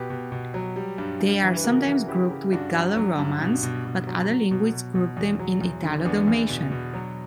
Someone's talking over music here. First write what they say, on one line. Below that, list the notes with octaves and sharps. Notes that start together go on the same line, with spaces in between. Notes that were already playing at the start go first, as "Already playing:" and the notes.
They are sometimes grouped with Gallo-Romance, but other linguists group them in Italo-Dalmatian.
Already playing: B2 G4 B4
B2
B2
F#3
G3
G2
G2
E3
B4
C#3 F#4 A#4
E3
C#3 E4 G4
C#3
G2 D4 F#4
F#3
F#3
G2
B2
B2
B2
F#3
F#3
B2
B2
B2
E2
F#3
E2
D3
E2 B3 D4
E2
B2
B2
F#3